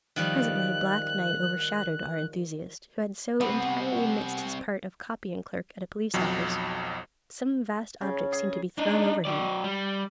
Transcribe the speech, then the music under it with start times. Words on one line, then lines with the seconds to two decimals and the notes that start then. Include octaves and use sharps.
Presently black night overshadowed our enthusiast, who had so entirely missed his part of copying-clerk at a police-office; some vast object seemed to be thrown over him.
0.16 D#3 F3 G3 F#6
3.41 G3 B3 C4
6.14 B1 F2 F#3
8.01 C#3
8.32 G#4
8.78 D4 D#4
9.25 F#3 D5
9.64 G3